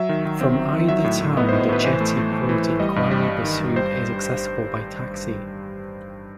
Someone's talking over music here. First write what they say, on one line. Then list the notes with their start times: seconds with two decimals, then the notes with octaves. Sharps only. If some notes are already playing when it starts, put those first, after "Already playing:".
From either town, the jetty port in Kuala Besut is accessible by taxi.
Already playing: F#3 E5
0.09 D#3
0.25 D#3
0.41 C4
0.57 F#3
0.73 D#3
0.89 F#3 E5
1.04 A2
1.21 A2
1.37 B3 D#5
1.49 C5
1.53 A2
1.61 C5
1.69 A2 B4
1.84 E3 C5
2.01 A3
2.17 A3
2.32 A3
2.49 E3
2.64 E3
2.80 G3 D#5
2.96 G2
3.11 G3
3.29 G3
3.44 D#3
3.60 G2
3.75 G3 C5